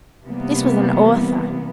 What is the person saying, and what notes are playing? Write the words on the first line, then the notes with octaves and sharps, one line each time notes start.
This was an author.
C3 E3 G3 A#3 B3